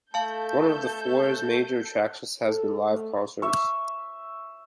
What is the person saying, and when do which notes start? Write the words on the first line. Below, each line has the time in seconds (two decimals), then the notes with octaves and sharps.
One of the foire's major attractions has been live concerts.
0.14 A3 A4 F5 A5 G6
2.46 A4
2.90 A3
3.42 E5 C#6